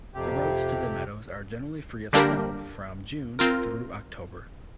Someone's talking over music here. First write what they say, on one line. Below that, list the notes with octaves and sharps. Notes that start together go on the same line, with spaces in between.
The roads to the meadows are generally free of snow from June through October.
F2 C3 G4
D3 G3 A#3 D4 G4 A#4
C4 F4 A#4